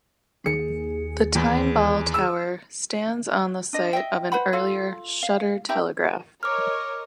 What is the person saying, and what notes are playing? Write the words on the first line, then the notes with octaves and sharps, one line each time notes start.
The Timeball Tower stands on the site of an earlier "Shutter Telegraph".
D#2 G#4 C#7
E2
E6
D4 D#5
D#5 E5 G5
B4 C5 F#5 B5
F4 A4 F5
F5
D#4 G4 E5 A#5
A#4 C#5 D#5 D6 F6